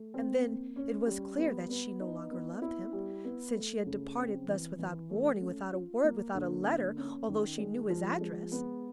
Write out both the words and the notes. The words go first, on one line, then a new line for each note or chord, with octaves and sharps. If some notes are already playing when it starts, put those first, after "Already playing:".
And then, it was clear that she no longer loved him, since she had departed thus without warning, without a word, without a letter, although she knew his address!
Already playing: A3
C4
A#3
C#4
G3
B3
B3
D#4
B3
E4
G3
B3
A3
C#3
C4
E3
E3
A3
C#4
F4
A#3
D3
A#3
C#4
D#3
G#3
F3
G#3
B3